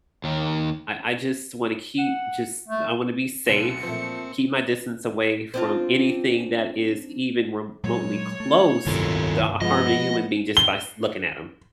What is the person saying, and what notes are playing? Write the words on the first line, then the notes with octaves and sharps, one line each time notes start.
I I just wanna keep, just I wanna be safe, keep my distance away from anything that is even remotely close to harming human being just by s looking at ‘em.
D#2 D#3
F#5
A3
D2 B2 D3 F#3 C#7
A#2 F3 A3 C4
C4 D4 F4
A#2 F#3 G#3 C#5
A3
D1 C2 G2 C3 D#3 F4 A4
F3 G#3 B3 D#5 F#5
G7